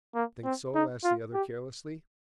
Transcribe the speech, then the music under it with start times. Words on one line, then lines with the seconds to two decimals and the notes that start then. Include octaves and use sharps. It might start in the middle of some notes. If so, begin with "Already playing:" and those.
"Think so?" asked the other carelessly.
0.15 A#3
0.45 C4
0.75 D#4
1.04 F4
1.34 G4